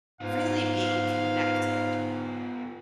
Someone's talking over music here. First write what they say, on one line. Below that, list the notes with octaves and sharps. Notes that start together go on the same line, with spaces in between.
really being connected,
G#2 B3 F4 F5